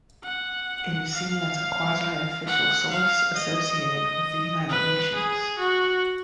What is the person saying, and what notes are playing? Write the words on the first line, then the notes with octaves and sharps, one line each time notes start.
It is seen as a quasi-official source associated with the United Nations.
F#5
F5
F#5
F5
D#5
B4
G#4
F#4